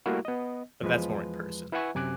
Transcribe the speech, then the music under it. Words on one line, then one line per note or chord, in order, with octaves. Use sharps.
but that's more in person.
G3 A3 A#3 E4 F#4
B3 D#5
E2 F3 G#3 B4
E4 B4 E5 F#5 G#5 C#6
F#2 C3 G#5 D6 F#6